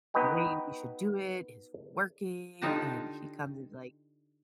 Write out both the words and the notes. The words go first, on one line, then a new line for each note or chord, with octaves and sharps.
the way we should do it is working, and he comes, he's like,
B3 D#4 F#4 B4 D#5 G5
D3 D#4 F4 G4 A5 A#5